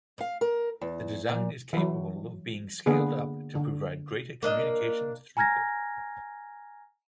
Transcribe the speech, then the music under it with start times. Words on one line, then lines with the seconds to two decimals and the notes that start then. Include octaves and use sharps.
The design is capable of being scaled up to provide greater communications throughput.
0.21 F5
0.41 A#4
0.81 E2
1.29 A#2
1.73 E3 F#3
2.86 D3 A#3 B3 G#4
3.55 D3
4.43 A#3 D4 D#5
5.37 G#5 A#5 F6 G#6 A#6